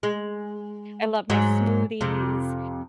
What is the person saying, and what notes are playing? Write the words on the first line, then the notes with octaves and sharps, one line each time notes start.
I love my smoothies.
G#3
G#2 F#3
F2 C3